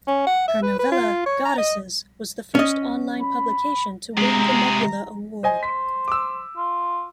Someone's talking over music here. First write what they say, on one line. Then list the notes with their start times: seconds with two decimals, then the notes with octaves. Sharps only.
Her novella "Goddesses" was the first online publication to win the Nebula Award.
0.07 C#4
0.26 F#5
0.48 E5
0.62 B4
0.79 B4
0.92 F4
1.26 C#5
1.45 A#5
1.58 D#5
2.55 C#4 D#5
3.22 B5
4.17 C3 G#3 G#4 A#5
5.43 C5 D#5 G#5
5.63 C5 B6
6.08 D6 E6
6.57 F4